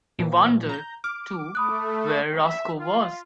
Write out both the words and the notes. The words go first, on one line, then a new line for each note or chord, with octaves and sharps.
He wondered, too, where Roscoe was.
A#2 E3 F3
A#5 G6
D6 F6
A3 B5 D#6 F#6
E5
F4